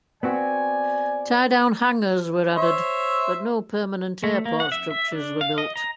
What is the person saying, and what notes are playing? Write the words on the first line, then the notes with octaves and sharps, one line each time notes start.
Tie-down hangars were added, but no permanent airport structures were built.
B3 C4 F#4 D5 G#5
C5 C#5 E5
A3
A#3
F#5
E5
E5
D4
F5
D#5
A#5